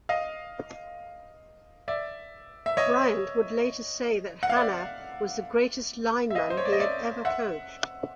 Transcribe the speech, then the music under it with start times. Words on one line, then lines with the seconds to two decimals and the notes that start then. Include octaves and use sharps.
Bryant would later say that Hannah was the greatest lineman he ever coached.
0.09 D#5 F5
1.88 D5 E5
2.66 E5
2.77 C#5 D#5
4.43 F#5
4.50 F5
4.56 D5 E5
6.30 E5
6.35 D#5 F5
6.50 C5
6.57 C#5
6.65 D5
6.73 D#5
6.80 D5 E5
7.25 E5 F#5